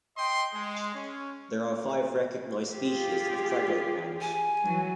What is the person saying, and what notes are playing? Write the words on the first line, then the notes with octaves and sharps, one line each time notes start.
There are five recognized species of tragopans.
D#5 G5 C6
G#3
C#4
F4 G4 G#4
G#5
E3 F#3